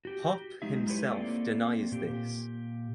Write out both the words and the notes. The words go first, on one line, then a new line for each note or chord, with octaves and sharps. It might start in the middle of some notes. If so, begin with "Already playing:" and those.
Hopp himself denies this.
F#4 G4
F#3 G#3 D#4 E5
F#3 G#3 E4 G4 B4 C#5
A3 A#3 C4 D5
A#2 G4